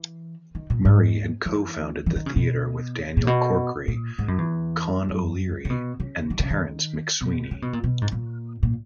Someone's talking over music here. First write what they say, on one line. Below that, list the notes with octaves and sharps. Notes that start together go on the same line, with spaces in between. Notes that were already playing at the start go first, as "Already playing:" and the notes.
Murray had co-founded the theatre with Daniel Corkery, Con O'Leary and Terence McSwiney.
Already playing: E3
D#3
A#2
G#2
E3
E3
D#3
C#3
B2
A#2
B2
A#2
G#2
F#2
E2
F#2
C#3
B2
C#3
D#3
C#3
D#3
B2
C#3
B2
A#2
B2
G#2
A#2
A#2